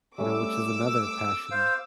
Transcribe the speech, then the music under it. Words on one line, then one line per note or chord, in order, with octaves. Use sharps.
you know, which is another passion
G3 A3 C#4 D6 E6
C5 F5